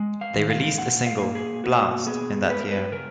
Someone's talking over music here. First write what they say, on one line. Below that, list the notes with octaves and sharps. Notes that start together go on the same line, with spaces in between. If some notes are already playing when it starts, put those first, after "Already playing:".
They released a single, "Blast", in that year.
Already playing: G#3
F5
D#3
F5
A#2 F#5
F5
A#3
G#4
B2 F#4
B3 G#4
G#3 B4
A#4
B4
C#3 A#4